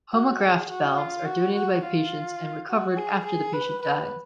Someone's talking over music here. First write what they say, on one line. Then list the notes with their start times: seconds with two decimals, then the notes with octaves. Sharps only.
Homograft valves are donated by patients and recovered after the patient dies.
0.12 F#4
0.40 G#4
0.69 F#4
0.98 F4
1.25 F#4
1.54 F#4
1.83 F4
2.68 F#4
2.97 G#4
3.25 G#4
3.53 B4
3.82 B4